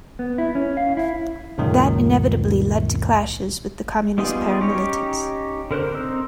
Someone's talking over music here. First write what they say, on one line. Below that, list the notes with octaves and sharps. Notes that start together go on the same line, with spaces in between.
That inevitably led to clashes with the communist paramilitants.
B3
E4
C#4
F5
E4
C#2 F#2 A#2 D#3
G3 B3 D#4 F4 G#4
C#4 D#4 G4 C#5
D3 A#4 C5 F#6
C4 D#4 E6